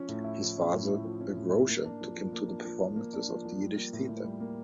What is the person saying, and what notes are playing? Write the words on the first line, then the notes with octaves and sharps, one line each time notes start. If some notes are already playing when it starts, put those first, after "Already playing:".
His father, a grocer, took him to performances of the Yiddish theater.
Already playing: F3 C#4
A2
E4
F3
C#4
A2
E4
F3
C#4
A2
E4
A#3
D4
F3
F3
A#3
D4
F3
F3
A#3
D4
F3
F3
G3
A#3
A2
A2
G3
A#3